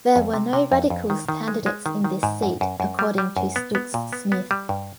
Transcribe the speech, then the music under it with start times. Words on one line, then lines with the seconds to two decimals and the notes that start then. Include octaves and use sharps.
There were no Radicals candidates in this seat, according to Stooks Smith.
0.16 F2
0.34 C3
0.53 C3
0.72 F2
0.90 F2
1.10 D#3
1.29 D#3
1.48 G#3
1.66 G#3
1.86 D#3
2.04 D#3
2.23 G#2
2.43 F#2
2.61 F#2
2.80 F#2
2.99 G3
3.18 G3
3.37 F#2
3.56 B3
3.75 B3
3.94 A#2
4.13 B3
4.32 B3
4.51 G3
4.69 G2